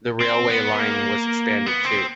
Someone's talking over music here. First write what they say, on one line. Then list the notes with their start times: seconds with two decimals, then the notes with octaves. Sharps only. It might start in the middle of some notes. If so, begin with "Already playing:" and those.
The railway line was expanded, too.
0.21 C4
0.50 B3
0.79 A#3
1.66 B3
1.85 C4